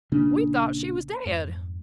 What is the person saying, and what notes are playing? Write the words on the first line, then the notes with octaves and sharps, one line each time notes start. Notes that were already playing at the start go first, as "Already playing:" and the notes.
We thought she was dead.
A#1 C#3 A#3 D4
F2 G#2